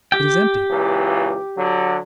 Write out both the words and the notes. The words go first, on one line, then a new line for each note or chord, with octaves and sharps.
It is empty.
G4 G5
C#2 A#2 E3
D3 F#3